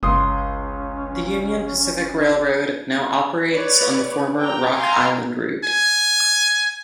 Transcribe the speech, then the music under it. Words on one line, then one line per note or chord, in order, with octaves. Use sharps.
The Union Pacific Railroad now operates on the former Rock Island route.
G1 C#2 C#4 C6 D#6
B4 C#5 D5
G5 A#5
F5 G5 G#5 A#5 C6
G#5